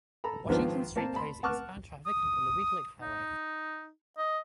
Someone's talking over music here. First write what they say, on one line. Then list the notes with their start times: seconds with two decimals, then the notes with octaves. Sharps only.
Washington Street carries eastbound traffic and the Louis Glick Highway.
0.24 A4 A#5 B5
0.49 G#2 D#3 F3 B3 D4 F4
0.96 A#3 C4 A5
1.14 A5 B5 C6
1.43 F#5 A5 C#6 D6 F6 F#6
2.06 D#6
3.02 D#4
4.18 D#5